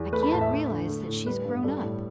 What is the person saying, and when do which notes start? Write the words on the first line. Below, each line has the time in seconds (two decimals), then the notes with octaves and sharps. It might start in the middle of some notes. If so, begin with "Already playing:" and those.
I can't realize that she's grown up.
Already playing: E2
0.13 A3 B4
0.23 B5
0.32 A2 A5
0.41 E5
0.51 A3
0.70 D3
0.88 A3
1.07 A2
1.26 G3 B4
1.45 G2
1.64 G3 A4
1.83 A2